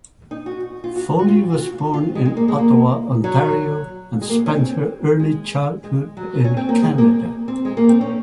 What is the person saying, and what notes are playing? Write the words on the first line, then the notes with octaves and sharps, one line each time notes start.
Foley was born in Ottawa, Ontario, and spent her early childhood in Canada.
D#4
F#4
F4
F#4
F#4
F4
F4
F#4
F4
G#3
G#3
A#3
G#3
A#3
F#3
G#3
A#3
C#4
C4
G#3
G#3
F#3
C#4
C4
A#3
G#3
A#3
C4
G#3
A#3
C4
C#4